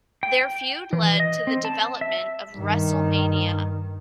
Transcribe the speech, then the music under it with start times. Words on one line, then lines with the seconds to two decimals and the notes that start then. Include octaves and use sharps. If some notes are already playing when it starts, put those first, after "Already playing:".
Their feud led to the development of WrestleMania.
0.23 G5
0.93 E3
1.20 D#5
1.47 C4
1.65 A5
2.01 E5
2.55 G2 D#3